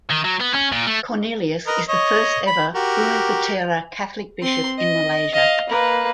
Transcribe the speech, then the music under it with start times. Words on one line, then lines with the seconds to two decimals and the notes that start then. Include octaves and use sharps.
Cornelius is the first ever bumiputera Catholic bishop in Malaysia.
0.10 D#3
0.24 F#3
0.40 B3
0.54 C#4
0.72 A#2
0.87 A3
1.67 A#4 B4 D#5
1.88 C#5 D#5
2.47 B5
2.75 F#4 G4 A#4
4.41 C4 C6
4.79 D#5
5.33 D#5 F5
5.69 A#3 B4